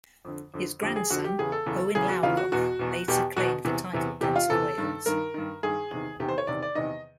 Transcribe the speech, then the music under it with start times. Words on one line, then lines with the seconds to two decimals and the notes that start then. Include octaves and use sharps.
His grandson, Owain Lawgoch, later claimed the title Prince of Wales.
0.25 F2 D3
0.54 F2 D3
0.81 F2 D3 G4
0.96 G#4
1.10 F2 D3 F#4
1.24 G4
1.39 E2 C#3 E3 G#4
1.52 A4
1.66 E2 C#3 E3
1.95 E2 C#3 E3 G#4
2.09 F#4
2.23 E2 C#3 E3 F4
2.37 F#4
2.52 E2 B2 F#4
2.79 E2 B2
3.08 E2 B2 G4
3.36 E2 B2 F#4
3.65 E2 C3 E3
3.93 E2 C3 E3
4.21 E2 C3 E3 G4
4.36 F4
4.50 E2 C3 E3 A4
4.78 G2 D#3
5.06 G2 D#3 A#4
5.34 G2 D#3
5.63 G2 D#3 G#4
5.91 E2 C3 D#3
6.20 E2 C3 D#3 G4
6.29 C5
6.38 C#5
6.47 E2 C3 D#3 D5
6.62 D5
6.75 E2 C3 D#3 D#5